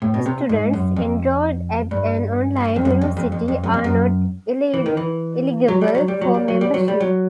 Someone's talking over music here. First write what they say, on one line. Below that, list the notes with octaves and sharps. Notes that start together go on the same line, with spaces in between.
Students enrolled at an online university are not eligible for membership.
A2
B2
C3
G#2
F#2
F2
G2
F2
F#2
F2
F2
F2
F2
F#2
F2
F#2
E3
D#3
E3
F#3
G3
F#3
G3
F#3
G3
F#3
G3
F#3
G3
F#3